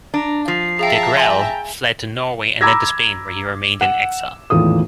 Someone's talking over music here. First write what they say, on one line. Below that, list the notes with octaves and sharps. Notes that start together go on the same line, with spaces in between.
Degrelle fled to Norway and then to Spain, where he remained in exile.
D4 A#5
F3 C7
G#4 E5 F5 G5 A5 A#5
G5 G#5 C6
A#5 B5 D6 E6 G#6 A#6
F#5 E7
G#1 E2 A2 F4 D#6